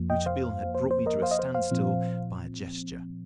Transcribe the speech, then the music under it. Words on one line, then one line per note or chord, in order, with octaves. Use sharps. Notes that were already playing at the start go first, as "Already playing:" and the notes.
Rouletabille had brought me to a standstill by a gesture.
Already playing: F2 F3 A#3
D#5 G5
C5 F5
C5
C5
A#4 D#5
C5 F5
D#5
C5
C5 F5
A#2 F3 C4